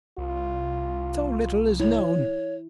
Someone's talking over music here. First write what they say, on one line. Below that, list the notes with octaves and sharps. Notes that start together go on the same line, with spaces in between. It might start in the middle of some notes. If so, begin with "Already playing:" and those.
"So little is known."
C2 F4
E4 C#5